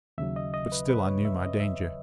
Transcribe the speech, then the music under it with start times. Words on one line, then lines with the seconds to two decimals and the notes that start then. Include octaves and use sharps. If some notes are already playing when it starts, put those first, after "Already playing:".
But still I knew my danger.
0.18 D#2 C#3 F#3 E5
0.36 D#5
0.54 D#5
0.72 B4
0.90 B4
1.07 C#5
1.25 E5
1.42 D#5
1.60 E5